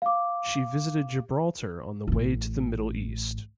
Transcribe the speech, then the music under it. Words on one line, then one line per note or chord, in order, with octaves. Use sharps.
She visited Gibraltar on the way to the Middle East.
F5 D6
A1 A2